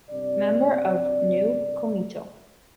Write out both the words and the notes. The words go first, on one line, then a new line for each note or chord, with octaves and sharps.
Member of New Komeito.
C2 G2 C3 G3 D5